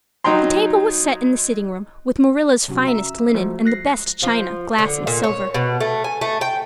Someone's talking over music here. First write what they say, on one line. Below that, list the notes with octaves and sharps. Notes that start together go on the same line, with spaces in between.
The table was set in the sitting room, with Marilla's finest linen and the best china, glass, and silver.
F#3 D#4 G5 A#5 C6
C3 F#3 C#4 F#4
E5 A#5 E6
F3 G#3 A3 F#4 C5
F#6 A#6 C7
F3
D3
A#2
C#5
B2
A3
G#5
A3
G5